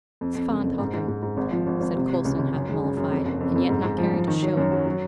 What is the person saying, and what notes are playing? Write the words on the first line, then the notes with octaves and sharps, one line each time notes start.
'It's fine talking,' said Coulson, half mollified, and yet not caring to show it.
F2
F2
F#1
F2
G#2
G#2
G#2
G#2
G#1
F3
G#1
G#1
C3
C3
C#2
C#2
F#2
G#3
C#3
F#2
F2
F#1
F2
F2
G#2
G#2
F3
F3
D#3
F#3
F#2
F#3
F#3